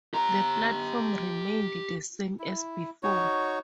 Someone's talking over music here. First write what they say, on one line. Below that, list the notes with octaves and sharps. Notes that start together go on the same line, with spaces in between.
The platform remained the same as before.
G4 A#5
E4
D#4 F#4 C#5